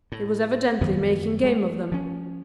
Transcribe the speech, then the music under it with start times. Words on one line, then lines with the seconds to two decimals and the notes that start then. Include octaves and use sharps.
He was evidently making game of them.
0.12 A2
0.81 F#2 D#3 F3 B3
1.44 G#3 A3
1.92 F3 C#4